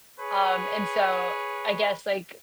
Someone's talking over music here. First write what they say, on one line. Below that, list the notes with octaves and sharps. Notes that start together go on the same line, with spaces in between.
um, and so, I guess, like
G#4 B4 C#5